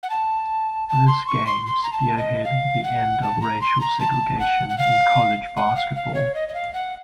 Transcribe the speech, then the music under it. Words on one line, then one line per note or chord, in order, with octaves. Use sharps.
This game spearheaded the end of racial segregation in college basketball.
F#5
A5
A5
C6
C#6
C6
C6
A#5
A5
D#5
F5
F#5
A5
A#5
C6
A#5
A5
F#5
F#5
F5
F#5
F5
F5
C#5
D#5
D#5
F5
F#5